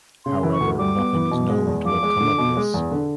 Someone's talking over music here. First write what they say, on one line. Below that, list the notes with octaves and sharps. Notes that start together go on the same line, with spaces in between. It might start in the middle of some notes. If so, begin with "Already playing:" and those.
However, nothing is known to have come of this.
C#3 C6
E3
C#6
D2
G3 D6
B3
E3
B2
G#3
E2
F3 D6
G#3
D3
B2
G#3
E2
D3